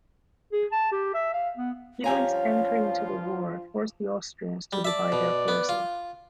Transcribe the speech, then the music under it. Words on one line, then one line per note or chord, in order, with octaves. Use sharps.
Italy's entry into the war forced the Austrians to divide their forces.
G#4
A5
G4
E5
F5
B3
G2 F3 C#4 F4 G4 F5 G#5 A#5
G3
D5 E5 A5
B2
B3
F4